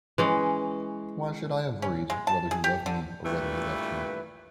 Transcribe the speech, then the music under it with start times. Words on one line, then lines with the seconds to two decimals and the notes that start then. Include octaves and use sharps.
Why should I have worried whether he loved me or whether he left me?
0.18 E3 G#3 C#4
1.82 C#4
2.10 G#3
2.27 A5
2.51 G#4
2.64 G4
2.86 D3
3.25 G2 A#2 E3 A3 B4